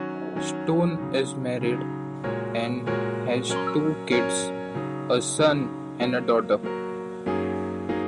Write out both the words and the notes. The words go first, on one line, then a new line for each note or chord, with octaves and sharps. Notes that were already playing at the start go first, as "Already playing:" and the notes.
Stone is married and has two kids, a son and a daughter.
Already playing: D#3 F#3 C#4 F#4
D#3 F#3 C#4 F#4
C#3 F#3 D#4
C#3 F#3 D#4
A#2 G#3 F#4 A#4 C#5
A#2 G#3 F#4 A#4 C#5
F#3 C#4 A#4 C#5
F#3 C#4 A#4 C#5
C#3 F#3 D#4
C#3 F#3 D#4
F#3 A#3 F#4 A#4
F#3 A#3 F#4 A#4
F#2 F#3 A#3 D#4 G#4
F#3 A#3 D#4 G#4